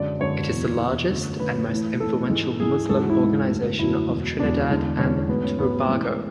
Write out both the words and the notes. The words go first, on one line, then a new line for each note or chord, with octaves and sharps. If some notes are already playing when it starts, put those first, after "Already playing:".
It is the largest and most influential Muslim organisation of Trinidad and Tobago.
Already playing: F#2 D3 G#3 D5
F#2 D3 G#3 C#5
E2 B2 F#3
E2 B2 F#3
F#2 D3 F#3 A3
F#2 D3 F#3 A3 B4
A2 E3 A3
A2 E3 A3 A4
G#2 E3 G#3
G#2 E3 G#3 G#4
G#2 E3 G#3 A4
F#4
E4
G#2 E3 G#3
F#2 D3 F#3 A3
F#2 D3 F#3 A3 E4
E2 B2 G#3
E2 B2 G#3 D4
E2 D3 G#3
E2 D3 G#3 C#4
G#2 F#3 A3 B3
C#4
G#2 F#3 A3 B3
A2 E3 G#3 C#4